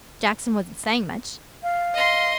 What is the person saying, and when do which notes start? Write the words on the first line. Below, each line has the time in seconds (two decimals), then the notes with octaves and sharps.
'Jackson wasn't saying much.
1.63 F5
1.95 D#5 C6